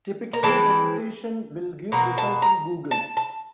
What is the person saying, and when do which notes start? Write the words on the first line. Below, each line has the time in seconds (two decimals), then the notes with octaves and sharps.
Typically the citation will give results in google.
0.33 A#5
0.43 E3 G#3 C4 A5
1.92 B2 F#3 A#3 A#5
2.18 A5
2.42 A#5
2.91 A5
3.17 A5